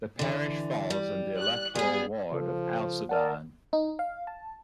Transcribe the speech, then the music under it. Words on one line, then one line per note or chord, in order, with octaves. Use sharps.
The parish falls in the electoral ward of Alcedon.
D3 E3
G3
F#6
G3 B3 G#4
C#3 F3 A4
A#4 D5 F#5 A5 F6
D#4
F5
A5